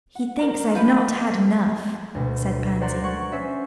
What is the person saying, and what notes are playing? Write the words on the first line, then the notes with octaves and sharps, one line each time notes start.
"He thinks I've not had enough," said Pansy.
F#5
A#4 C5 A#5
F3 B3 B4
D2 B2
C5 D5 F#5 A#5 C6
D5 F#5 C#6 G#6
C#4 C5 E5